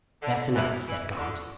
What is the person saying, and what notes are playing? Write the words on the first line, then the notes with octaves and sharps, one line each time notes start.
"That's enough," said Gaunt.
D3
E3
E3
D3